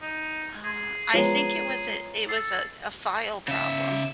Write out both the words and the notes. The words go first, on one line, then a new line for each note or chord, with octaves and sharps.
Ah, I think it was it it was a a file problem
D#4
G#4 C6 G#6 A#6
F3 G#3 B3 C#5 A#5
A4 C7
C#3 E5